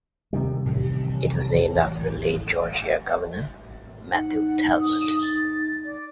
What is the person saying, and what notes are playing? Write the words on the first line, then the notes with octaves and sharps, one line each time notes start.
It was named after the late Georgia governor Matthew Talbot.
C3 D#3 G3
D#4 F#5
D#6
A6
D5